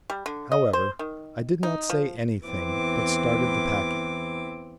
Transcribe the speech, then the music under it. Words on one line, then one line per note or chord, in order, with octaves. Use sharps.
However, I did not say anything, but started the packing.
G3
D3
D#5
C5
D#3
D#4
F3
E2 E3 C4 D6